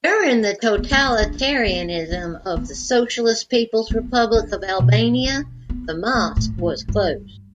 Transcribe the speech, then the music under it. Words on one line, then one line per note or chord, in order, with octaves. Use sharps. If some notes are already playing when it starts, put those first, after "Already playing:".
During the totalitarianism of the Socialist People's Republic of Albania, the mosque was closed.
B3
B3
D4
D4
B3
D4
B3
B3
D4
B2
D4
B3
A3
A2
A2
G2